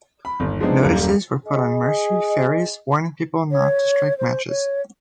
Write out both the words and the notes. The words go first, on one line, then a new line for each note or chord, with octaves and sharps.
Notices were put on Mersey ferries warning people not to strike matches.
B5
G1 D#2
F3 G#3 B3 C4 D4 D#4
D#1 F#2 G3 A#3
G#4 D#5
C#5
C5
C#5